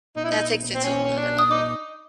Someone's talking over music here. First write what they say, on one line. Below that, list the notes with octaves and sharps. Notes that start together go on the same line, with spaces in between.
That takes it to a whole 'nother level.
D#4
E4
D#4
C4
C#4
C#4
D4
D#6
D#4 D6